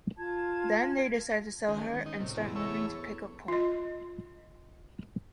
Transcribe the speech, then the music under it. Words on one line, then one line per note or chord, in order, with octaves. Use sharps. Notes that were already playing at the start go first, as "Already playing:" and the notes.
Then they decide to sell her and start moving to pick up point.
F4 A5 G#6
C#2 D#3 G#3
D#3
D#3 D#4
A2 C3
E2
A4 C#5 E5
F4 D#5